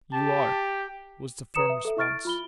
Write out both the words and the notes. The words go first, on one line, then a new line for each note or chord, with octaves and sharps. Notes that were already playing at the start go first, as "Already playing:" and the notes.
"You are," was the firm response.
G4 A5
B4 A#5 D#6 C#7 E7
E5
A4 E5
E4 E5 C#6 F6 A6 D7
F4 B5 G7